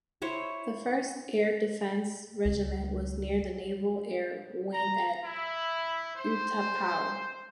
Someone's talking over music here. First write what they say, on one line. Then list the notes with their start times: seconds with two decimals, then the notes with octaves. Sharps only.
The First Air Defence Regiment was near the Naval Air Wing at Utapao.
0.22 E4 C5 C#5 C#6
2.45 C#2
4.72 A#5
5.23 E4
6.16 C5